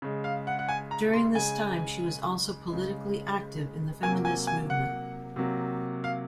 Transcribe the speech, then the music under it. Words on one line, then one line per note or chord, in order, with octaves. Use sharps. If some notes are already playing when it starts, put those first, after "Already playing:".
During this time she was also politically active in the feminist movement.
C#3 G#3
F5
F#5
F#5
G#5
A#5
C6
C#3 G#3 G#5
C#3 G#3
C3 F#3 A#3 G#5
G#5
G#5
F#5
C3 F#3 A#3
F5